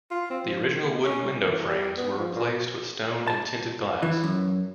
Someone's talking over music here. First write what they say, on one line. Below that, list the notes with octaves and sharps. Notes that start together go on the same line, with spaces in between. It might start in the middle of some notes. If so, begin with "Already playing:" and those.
The original wooden window frames were replaced with stone and tinted glass.
F4
C4
F3
A#3
C#4
G3
E3
G3
B3
F3
A#2
A5
E3
F#2